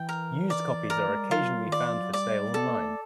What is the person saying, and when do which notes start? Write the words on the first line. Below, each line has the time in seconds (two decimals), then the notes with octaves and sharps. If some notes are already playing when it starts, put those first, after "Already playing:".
Used copies are occasionally found for sale online.
Already playing: E3 G5
0.09 A#4
0.50 D5
0.90 A#4
1.08 A3
1.17 G#3
1.24 G3
1.31 F#3 F4
1.68 D#3 D5
1.80 E3
1.90 F3
2.02 F#3
2.13 G3 D5
2.54 B3 A4
2.69 A#3
2.82 A3